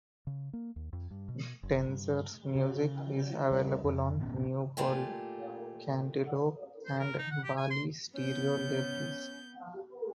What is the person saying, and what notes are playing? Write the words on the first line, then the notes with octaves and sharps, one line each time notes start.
Tenzer's music is available on New World, Canteloupe and Bali Stereo labels.
C#3
A#3
D#2
F2
G2
B2
F#1
G2
C#3
C#3 G3
F2
G#1 A#2 B3 C#4
A#2 A3 F4 G4 G#5
C5
A#4
D#4
F#5
G4
G#5
C6
B3 C#4 G6